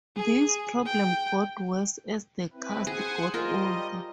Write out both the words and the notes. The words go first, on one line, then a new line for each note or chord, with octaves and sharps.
This problem got worse as the cast got older.
G#4
G5
C4 E4 B4
G#4 C5 F#5 G#5
G3 F4 A#4 C5 D#5